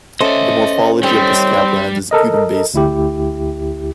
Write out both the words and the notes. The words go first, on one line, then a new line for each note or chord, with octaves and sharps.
The morphology of the scablands is butte-and-basin.
A3 C#4 A4 C5 C#5 D#5
D#3 G3 C4 C#5 G5
A4 A#4 D#5
D2 E4 G4